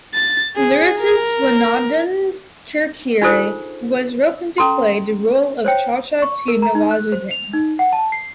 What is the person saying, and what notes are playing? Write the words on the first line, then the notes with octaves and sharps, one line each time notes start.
Lyricist Swanand Kirkire was roped into play the role of chacha to Nawazuddin.
A6
G#4
A#4
D4 D#4 F4 G#4 A4 C5
C#4 A4 A#5 C6
C5 C#5 G5
C#6
A#4
A#5
D#4
F#6
C5
F7
D#4
F#5
A5
C7